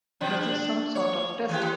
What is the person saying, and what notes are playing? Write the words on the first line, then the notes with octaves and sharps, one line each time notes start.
Is this some sort of test?
B2 F3 D4
D4
C#5
E3 G#3 G4